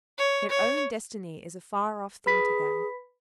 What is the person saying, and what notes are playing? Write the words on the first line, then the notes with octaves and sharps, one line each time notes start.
Their own destiny is a far-off thing to them.
C#5
C#5
G#4 B4 B5 B6